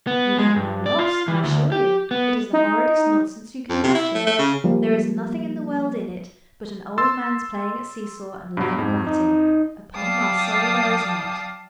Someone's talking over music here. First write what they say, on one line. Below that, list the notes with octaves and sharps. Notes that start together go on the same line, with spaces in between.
"You had no loss, I assure you; it is the horridest nonsense you can imagine; there is nothing in the world in it but an old man's playing at see-saw and learning Latin; upon my soul there is not."
B3
G#3
G2
D5
F4
E3
D2
G4
B3
D#4
F2
C3
E4
A3
A3
C#3
F3 G3 A#3
C6 E6 A6
G2 B2 F#3
F2 G#2
D#4
F#3 D5 F5 G5 A5 D#6